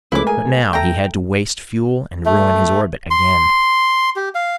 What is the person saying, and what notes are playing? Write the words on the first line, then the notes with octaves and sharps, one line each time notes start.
But now he had to waste fuel and ruin his orbit again.
C#2 F3 G#3 A3 C#4 E4 B4 D6
G#4 A#4 G#5
A4 E5 G5 A#5
A3
C6
G4
F5